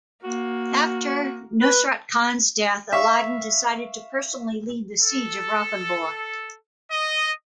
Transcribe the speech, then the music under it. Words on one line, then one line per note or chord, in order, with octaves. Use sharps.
After Nusrat Khan's death, Alauddin decided to personally lead the siege of Ranthambore.
A#3 F#4
B4
E5 F5 C#6
A4
D#5